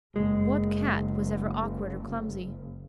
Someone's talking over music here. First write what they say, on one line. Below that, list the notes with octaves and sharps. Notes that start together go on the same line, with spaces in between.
What Cat was ever awkward or clumsy?
F#1 G#3